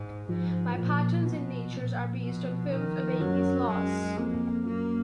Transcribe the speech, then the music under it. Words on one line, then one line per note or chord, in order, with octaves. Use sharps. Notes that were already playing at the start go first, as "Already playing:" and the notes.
Many patterns in nature are based on foams obeying these laws.
Already playing: G#2
G#2 F3
A#2 F3
B2 F3
A#2 F3
B2
D#3
F#2 F#3
F#2 G#3
F2 A#3
F#2 A#3